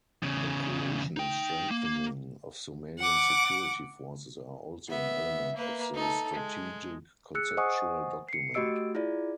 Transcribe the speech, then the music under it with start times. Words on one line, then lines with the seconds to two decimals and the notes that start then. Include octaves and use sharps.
The creation and strengthening of Somalian security forces are also an element of the strategic conceptual document.
0.23 E2 C#3
1.17 D#4 G5
1.71 A#3
2.99 F#5 D6
4.89 B3 E5
5.56 A#3 B4
5.94 D#4 A4
6.33 G#3
7.35 G#4 E6 F#6 C#7
7.57 C5 D#5 F#5 G#5 C#6 D#6
8.29 C7 C#7
8.54 A3 F#4 G4 D#5 E6 D7
8.95 E4 F4 G#4 D5